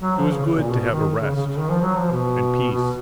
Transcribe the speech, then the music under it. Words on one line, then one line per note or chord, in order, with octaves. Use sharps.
It was good to have a rest--and peace.
F#3
F3
C#3
C#3
A#2
B2
B2
D#3
C#3
C#3
C#3
D#3
F3
F#3
F3
B2
B2